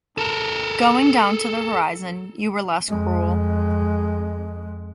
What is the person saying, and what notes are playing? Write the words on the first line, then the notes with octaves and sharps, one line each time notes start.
Going down to the horizon, you were less cruel.
A4 A#4
F2 G#3